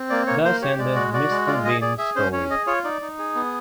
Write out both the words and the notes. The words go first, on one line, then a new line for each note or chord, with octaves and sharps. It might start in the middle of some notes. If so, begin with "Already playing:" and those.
Thus ended Mrs. Dean’s story.
Already playing: C4
A#3 D5
A#3 C#5
A#3 C5
G4 C#5
G#3 D5
F#4
F#4 D5
G#3
F4 D5
G#4 D#5
G#4 D5
G#4 E5
C#4 C5
C#4 C#5
G#4 D#5
F4 C#5
D#4 D5
D#4
G#4
B3